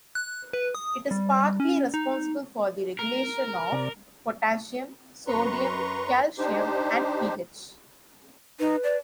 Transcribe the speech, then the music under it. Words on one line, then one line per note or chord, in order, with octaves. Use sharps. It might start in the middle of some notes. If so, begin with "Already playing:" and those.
It is partly responsible for the regulation of potassium, sodium, calcium, and pH.
F#6
B4
D#6
G3
C#4
D#4
A#4
C3 D5
F#2 B4 A#5 C6 C#6
D4 D#4 G4 C5
D#4 B4
D5